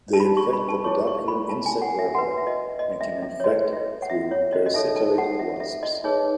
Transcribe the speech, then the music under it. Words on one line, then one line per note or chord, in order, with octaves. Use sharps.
They infect lepidopteran insect larvae and can infect through parasitoid wasps.
A5
B5
C#6
B5
A5
E4 G#4 C#5 C#6
C#6
B5
A5
G#5
F#5
E5
F#4 B4 F#5
E5
D#5
D#5
E5
E5
C#5
F#4 B4 D#5
E5
D#5
F#5
E5
C#5
D#5
D#5
D#4 A4 C#5 E5
A5
F#5
E5
E5
D#5
D#4 G#4 B4 C#5